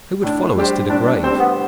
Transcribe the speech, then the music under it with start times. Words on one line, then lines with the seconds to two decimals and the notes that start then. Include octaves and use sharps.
Who would follow us to the grave?
0.23 A2 D4
0.57 G3 D4 G4 C5
0.90 A2 D4
1.06 D4
1.23 G3 C4 D4 G4 C5
1.39 B3